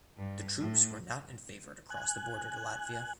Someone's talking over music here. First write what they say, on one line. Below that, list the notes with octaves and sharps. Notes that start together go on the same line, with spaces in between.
The troops were not in favor to cross the border to Latvia.
G2
A2
G#5 F#6